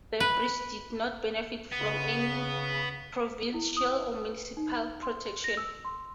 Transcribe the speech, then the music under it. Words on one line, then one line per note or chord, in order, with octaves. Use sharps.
The bridge did not benefit from any provincial or municipal protection.
B4
C#3 B3
E4
D#6
B4
D#4
C6
A#6
E6
C6